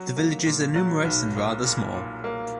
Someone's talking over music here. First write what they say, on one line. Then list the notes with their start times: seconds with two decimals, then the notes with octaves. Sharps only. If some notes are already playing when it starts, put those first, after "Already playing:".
The villages are numerous and rather small.
Already playing: F#3
0.17 A#3
0.46 A#2
0.76 F#3
1.05 B1
1.35 A#2
1.64 A#2
1.94 A#2
2.24 A#3